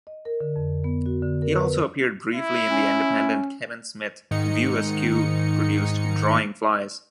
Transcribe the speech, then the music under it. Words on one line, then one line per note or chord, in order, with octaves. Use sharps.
He also appeared briefly in the independent Kevin Smith View-Askew produced Drawing Flies.
D#5
A#4
D3
F2
B3
F#4
D3
A#4
B4
E4
C#4
G#2 D#3 D#4 C#7